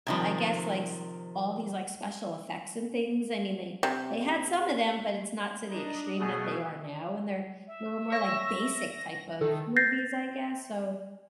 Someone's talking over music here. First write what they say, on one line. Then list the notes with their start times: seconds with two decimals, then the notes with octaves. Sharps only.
uh, I guess like s all these, like, special effects and things. I mean, they they had some of 'em, but it's not to the extreme that they are now, and they're they were more like basic type of movies, I guess, so
0.07 C3 D#3 F3
3.83 C3
5.69 D4 D#4 D#5
6.19 B2 A3 B3 F#4 G#4 D#6
7.67 E5
8.12 C#5 A#6
9.41 D#3 A4
9.76 G6 A6 A#6 C7